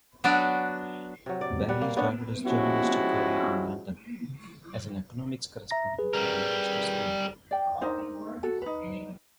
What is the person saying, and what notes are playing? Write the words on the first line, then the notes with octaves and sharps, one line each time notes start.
Barry started his journalistic career in London, as an economics correspondent for Investors Chronicle.
F#3 B3 D4 F#4 D5
C3 F#3
D5
G3 F#5
A#3
B3 C#4 D4 F#5
F3 G#3 C#4 E4 F#4 G4
E5 A#5 A#6
G#4 B4
G3 A#4
D5 G5
D4 D#4 A#4 C5
F#4 A4
D#4 B4